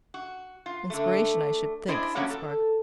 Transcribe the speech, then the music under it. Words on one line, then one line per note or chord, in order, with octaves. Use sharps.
"Inspiration, I should think," said Spargo.
F#4
F4
D3 A3
D4 E4 G#4 C5 D5 D#5
F3 A3 A#3 C#4 F#4 C#5
A4